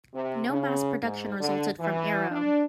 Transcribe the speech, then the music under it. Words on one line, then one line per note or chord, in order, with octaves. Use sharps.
No mass production resulted from Aero.
C3
C#3
G#2
D3
E3
D4